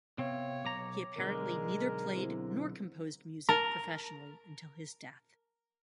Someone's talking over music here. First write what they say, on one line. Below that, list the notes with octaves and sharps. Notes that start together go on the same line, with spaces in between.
He apparently neither played nor composed music professionally until his death.
C3 B3 C4 C#5 F5
B1 A#5 D6
B1 D3 G#3 A#4
C4 E4 C5
A#4 A5